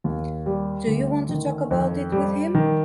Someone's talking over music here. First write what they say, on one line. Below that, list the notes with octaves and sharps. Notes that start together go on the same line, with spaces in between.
Do you want to talk about it with him?
D#2
G3
D2
D#3
F2
G3
D#3